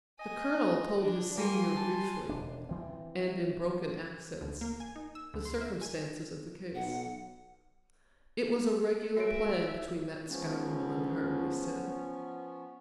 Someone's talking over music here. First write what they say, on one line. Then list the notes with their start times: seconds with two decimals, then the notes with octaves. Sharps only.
The Colonel told his senior briefly, and in broken accents, the circumstances of the case. "It was a regular plan between that scoundrel and her," he said.
0.20 D#5 G#5
1.00 D4
1.38 G3 A#3 G#5 C6
1.77 A5
2.29 E1 D4
2.69 E3 C4
4.41 D2
4.61 A#3
4.80 G#5
4.96 D#4
5.15 E6
5.34 D2
5.45 C6
5.61 E5
5.81 G#5
6.75 B1 F#5
9.17 G#3 F#4 A#4 C#5 E5 D7
10.29 C#2 F3 B3 C#4